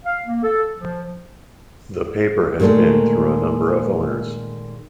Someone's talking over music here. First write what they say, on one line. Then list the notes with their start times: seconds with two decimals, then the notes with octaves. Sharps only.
The paper has been through a number of owners.
0.05 F5
0.26 A#3
0.43 A4
0.76 F3
2.60 A#2 D#3 F3 G#3 A3